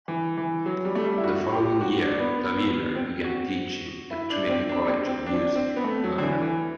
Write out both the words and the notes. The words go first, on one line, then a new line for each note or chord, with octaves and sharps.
The following year Tavener began teaching at Trinity College of Music, London.
E3
E3
F#3
G3
A3
G3
E4
F#4
F#4
G4
F#4
D4
B3
B3
C4
F#4
E4
D4
C4
D4
C4
C4
D4
C4
B3
A3
F#3
D3
E3
E3